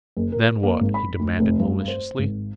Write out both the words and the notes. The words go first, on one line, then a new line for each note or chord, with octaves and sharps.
"Then what?" he demanded maliciously.
F#1
A#4
A#3
G#1
B5
D2
F1
G2
C5
G#1